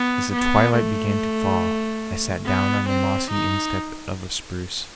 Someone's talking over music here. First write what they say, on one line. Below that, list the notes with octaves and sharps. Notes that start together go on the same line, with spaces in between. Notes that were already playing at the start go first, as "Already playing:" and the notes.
As the twilight began to fall, I sat down on the mossy instep of a spruce.
Already playing: B3
B3
A3
B3
C4
D#4